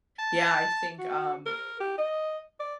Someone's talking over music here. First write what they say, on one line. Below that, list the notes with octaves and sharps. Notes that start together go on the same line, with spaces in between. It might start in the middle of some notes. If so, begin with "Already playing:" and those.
Yeah, I think, um,
A5
F#4
A#4
G4
D#5
D5